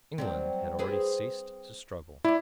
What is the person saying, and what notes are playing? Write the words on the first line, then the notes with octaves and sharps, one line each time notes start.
England had already ceased to struggle.
F#3 G3 C4
C4 G#4 B4
E4 C#5 D5